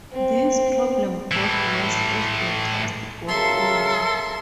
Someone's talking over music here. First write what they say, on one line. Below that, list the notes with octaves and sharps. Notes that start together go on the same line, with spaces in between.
This problem got worse as the cast got older.
C4
A2 E3
C#3 F#3 A4 A#4 E5 C6